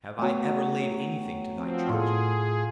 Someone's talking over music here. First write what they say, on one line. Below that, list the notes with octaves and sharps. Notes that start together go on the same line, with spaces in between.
Have I ever laid anything to Thy charge?
F#3 A3 B3 G5
F3 C4
A2 F4 G#4 A4